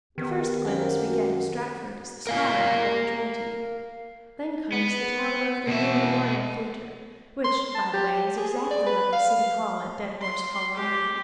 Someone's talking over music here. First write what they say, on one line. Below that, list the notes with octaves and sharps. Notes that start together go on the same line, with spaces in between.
The first glimpse we get of Stratford is the spire of Holy Trinity; then comes the tower of the new Memorial Theater, which, by the way, is exactly like the city hall at Dead Horse, Colorado.
D#3 B3 G4
F#2 A#3 C4
F#4
A#4 F5 G#5
B3
B2 E5
C6
A5
G4
G#4
D5
B4
F5
C6
G4